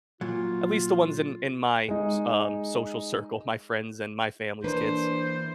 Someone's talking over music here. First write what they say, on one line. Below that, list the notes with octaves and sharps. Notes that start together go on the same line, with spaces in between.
at least the ones in in my s um, social circle, my friends and my family's kids,
A#2 F#3 F4
G#3 D#4
E3 A#3 D4 B4 C5